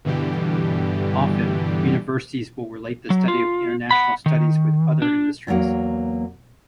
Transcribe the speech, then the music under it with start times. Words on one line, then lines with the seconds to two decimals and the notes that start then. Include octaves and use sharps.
Often, universities will relate the study of International studies with other industries.
0.05 G2 B2 D3 E3 G3 G4
3.10 F#3
3.28 F4
3.91 F#5 B5
4.26 D#3
5.02 D4
5.47 E2 E3 F#3 A#3 F#5